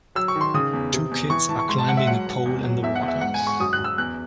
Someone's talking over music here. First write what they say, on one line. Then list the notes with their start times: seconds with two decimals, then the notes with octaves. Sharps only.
Two kids are climbing a pole in the water.
0.15 F#3 E6
0.28 C#6
0.36 D#3
0.41 C6
0.54 C#3 D#6
0.73 E2
0.93 C3
1.11 E2
1.30 E3 C#6
1.49 E3 A5
1.59 C#6
1.69 G#2 C6
1.78 A5
1.88 G#2 F#5
1.97 E5
2.07 F#3 F#5
2.27 G#2
2.45 E2
2.64 F#3
2.83 E2 E5
2.95 F#5
3.02 E2
3.08 E5
3.21 G#2 F#5
3.34 G#5
3.40 G#2
3.47 C#6
3.60 F#2 D#6
3.73 F#6
3.79 F#2
3.84 E6
3.98 E2 F#6